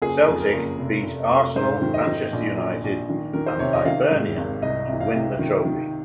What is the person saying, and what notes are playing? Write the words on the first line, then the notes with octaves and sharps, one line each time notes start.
Celtic beat Arsenal, Manchester United and Hibernian to win the trophy.
F#1 G#4
F2
A#4
F#1
F1
F1
F1
G#2 C5
D#3
D#5
D#3
A#1
A#1
A#1
D#3
D#3 A#4
C5
C3 C#5
D#5
D#3 F5
G#2
G#1
C2 D#5
C3
F5
C3
D#3
D#3